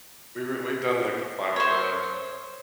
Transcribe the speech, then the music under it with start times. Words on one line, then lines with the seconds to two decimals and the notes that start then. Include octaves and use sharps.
we were we've done, like, the flower bed
1.56 C5 C#5